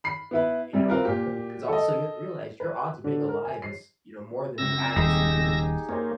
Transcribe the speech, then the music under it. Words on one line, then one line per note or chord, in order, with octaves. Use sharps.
you know, the living, 'cause also you have to realize your odds of being alive is, you know, more than the atoms in the universe,
B5 C7
B3 E4 B4
C3 G3
C4 F4 A#4 B4
A#2 G4
A4 D#5
B4
D3
A#4
G#5
C7
C#2 F#2 C3 E6 A#6
D#1 D#4 G4 G#4
A#3 C5 C#5